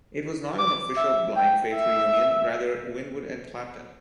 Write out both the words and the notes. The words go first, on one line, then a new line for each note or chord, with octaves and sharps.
It was not an official Blind Faith reunion; rather "Winwood and Clapton".
D6
E5
G5
E5